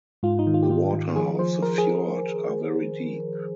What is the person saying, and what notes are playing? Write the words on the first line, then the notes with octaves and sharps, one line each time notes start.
The waters of the fjord are very deep.
G#2 F4
D#4
D#3
F4
G4
D#3 F4
D#3
F3 G#4
F3 C5
F3 A#4
G#4